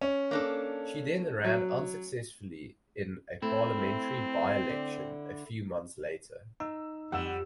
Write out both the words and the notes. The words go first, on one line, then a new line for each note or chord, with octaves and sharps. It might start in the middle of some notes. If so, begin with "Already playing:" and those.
She then ran unsuccessfully in a parliamentary by-election a few months later.
C#4
A#3 D4 A4
F#3
A3 C4 E4
D3
D#4 E6
F2 G3 F#5 E6 E7